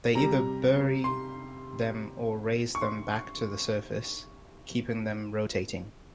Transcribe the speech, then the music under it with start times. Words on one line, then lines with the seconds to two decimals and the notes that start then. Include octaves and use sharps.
They either bury them or raise them back to the surface, keeping them rotating.
0.15 C3 G3 A#5
1.04 C6
2.75 C#6
2.81 C6